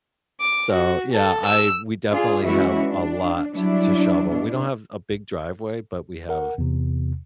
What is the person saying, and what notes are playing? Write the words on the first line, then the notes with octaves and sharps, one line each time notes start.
So, yeah, I we definitely have a lot to shovel. We don't have a big driveway, but we have
D6
F#4
A4
E6
D4 F4 G#4
E3 G#3 C#4 E4 F#4
D4
F#3 G3 D4 E4
B2 D4
A#4 F#5
E2 C3